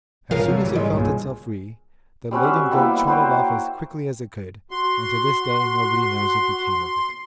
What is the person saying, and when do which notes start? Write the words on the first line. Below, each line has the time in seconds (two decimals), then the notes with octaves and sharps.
As soon as it felt itself free, the laden goat trotted off as quickly as it could, and to this day nobody knows what became of it.
0.31 G2 C#3 F3 A#4 F5
0.46 C3 F#3 A3
0.62 G#2 E3 G3
0.75 C#3 G#3
0.92 B1 G2 A#2
2.31 G3 C4 C#4 F#4
2.44 D5 E5
2.71 G3 A#3 B3 E4
3.08 F#4 C5 C#5 G5
4.71 F#4 C6